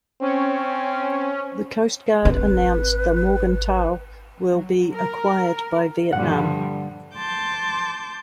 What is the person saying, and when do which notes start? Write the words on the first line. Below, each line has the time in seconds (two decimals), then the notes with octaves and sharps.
The Coast Guard announced the Morgenthau will be acquired by Vietnam.
0.21 C4 C#4
2.25 G#1 C4 B4
4.50 F#3
4.93 A#4
6.13 G2 A#2 D3 F3 G3 F#5
7.15 A5 C6 D6 G6